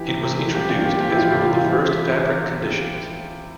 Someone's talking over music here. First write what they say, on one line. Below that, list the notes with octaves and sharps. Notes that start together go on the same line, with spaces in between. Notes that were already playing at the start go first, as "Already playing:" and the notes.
It was introduced as one of the first fabric conditions.
Already playing: E3 G4
C3
C3
E3
F3 G4
A#2 F4
A#2 G4
F3 G4
E4
E3 F4
C3 G4
F4
C3 E4
F4
E3